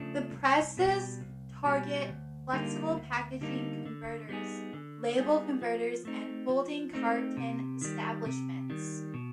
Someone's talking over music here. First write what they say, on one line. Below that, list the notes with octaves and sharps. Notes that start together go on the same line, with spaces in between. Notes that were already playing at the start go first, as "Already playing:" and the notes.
The presses target flexible packaging converters, label converters and folding carton establishments.
Already playing: C#3 F3 A3 D4
C2
B2 G3
C2
B2 G3
D2
D3 G3 A#3 D#4
D2
D3 G3 A#3 D#4
D3
G3 B3 D#4 G#4
D3
G3 B3 D#4 G#4
F3
A3 C4 D#4
F3
A3 C4 D#4
C3
D#3 G3
C3
D#3 G3
B2